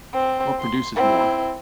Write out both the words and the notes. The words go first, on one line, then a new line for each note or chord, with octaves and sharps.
what produces more?
C4
C6
C4 E4